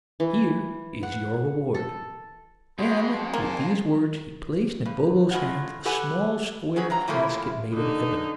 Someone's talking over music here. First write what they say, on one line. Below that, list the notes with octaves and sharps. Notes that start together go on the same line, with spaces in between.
"Here is your reward." And, with these words, he placed in Bobo's hands a small square casket made of ebony.
E3
F#5
A4
F2 G#3 F#4 D#5 B5 C6
A#3 C5 G#5 A5
G2
A2 G#3 F4 F#5
G4 A4 B4 F#5 G#5
F#3 C#4 G#4 B4
G2 F#3 A#5
A2 E3 F3 A3 A#3 E4
D3 D#4